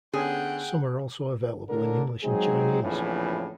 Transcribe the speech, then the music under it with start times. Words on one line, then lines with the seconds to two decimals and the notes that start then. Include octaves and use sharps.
Some are also available in English and Chinese.
0.13 D3 B3 C#4 G#4 F#5 G5
1.68 A2 D3 A#4
2.24 F#3 G#3 C4 D#4 G#4
2.82 A#1 F2 A2 C#3 E3 E4